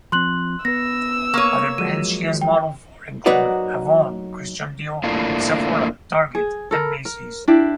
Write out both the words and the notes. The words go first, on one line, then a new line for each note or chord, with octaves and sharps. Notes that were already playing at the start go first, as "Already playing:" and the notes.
Other brands she has modelled for include "Avon", "Christian Dior", "Sephora", "Target", and "Macy's".
F3 C4 C6 F#6 F#7
B3 B4 E6 A#6
A#3 C#5 C#6 F6 D#7
F3 F#3 G#3 D#7
G5
F#3 A#3 D#4 F#4 B4 D5
A3 A#3 D4 E4 F4
G#4
A4 A#4 B5
A#4
D4 E4 G4